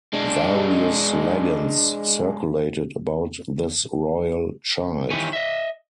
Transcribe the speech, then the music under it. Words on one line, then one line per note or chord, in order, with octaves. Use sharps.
Various legends circulated about this royal child.
G#3 D4
D#3 E3 G4 C#5 G#5
D#5 E5